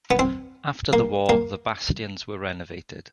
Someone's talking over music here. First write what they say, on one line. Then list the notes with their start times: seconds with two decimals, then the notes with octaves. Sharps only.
After the war the bastions were renovated.
0.11 B3
0.19 C4
0.93 A#3
1.29 A#3